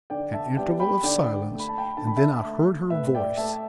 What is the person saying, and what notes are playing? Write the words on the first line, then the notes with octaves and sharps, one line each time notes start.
An interval of silence, and then I heard her voice.
D3 D5 G5
E5 A5
G3 B3 D5 G5
G5 B5
D3 D5 G5
A3
B5
A5
G5 B5
D3 A5
B5
E5 A5
A3
A2 B4 E5
D5 G5
A3 E5 A5